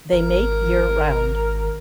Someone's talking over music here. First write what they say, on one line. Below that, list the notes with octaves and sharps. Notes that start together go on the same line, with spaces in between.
They mate year round.
G#1 A#4